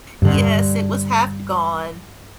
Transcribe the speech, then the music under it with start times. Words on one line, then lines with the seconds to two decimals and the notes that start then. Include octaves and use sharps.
Yes. It was half gone.
0.22 G2 D3